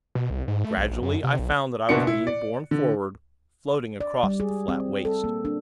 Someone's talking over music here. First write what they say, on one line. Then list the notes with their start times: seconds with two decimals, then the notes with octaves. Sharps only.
Gradually, I found that I was being borne forward, floating across the flat waste.
0.15 B2
0.30 C2
0.48 G#2
0.64 A3
0.78 B1
0.90 A#1
1.02 F#2
1.24 C3
1.39 B1
1.89 F#1 B2 D4 F#4 C#7
2.07 E4
2.27 D5
2.71 D3
4.00 D5
4.23 G3
4.40 G#4
4.68 C4
5.05 A4
5.24 A#3
5.45 D4